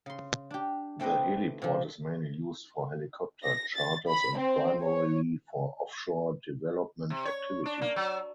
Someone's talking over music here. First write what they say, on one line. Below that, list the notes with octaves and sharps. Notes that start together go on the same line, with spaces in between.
The heliport is mainly used for helicopter charters and primarily for offshore development activities.
C#3 C6
D4 G4
A3 C4 G4 B4 D#5
C3 F3
A#6
A6
B5
C4
C#5
C3
C#5
D4
A#3
F#3